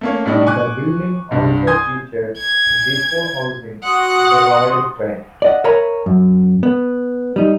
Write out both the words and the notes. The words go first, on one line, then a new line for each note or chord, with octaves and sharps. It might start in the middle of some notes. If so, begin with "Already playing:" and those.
The building also featured a depot housing the Royal Train.
A3 A#3 C#4
A2 G3 D4 D#4
G#5 C#6 D6 F#6
C2 G2
G#5 C6 D#6 G6 G#6
G#6
F#4 F#5 C6 D#6
D5 D#5 F#5
A#4 C#5 E5 G#5 A#5 B5
F#2
B3
G3 D#4